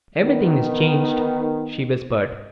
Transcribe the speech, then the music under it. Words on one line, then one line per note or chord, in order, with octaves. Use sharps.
"Everything is changed," she whispered.
D#3 B3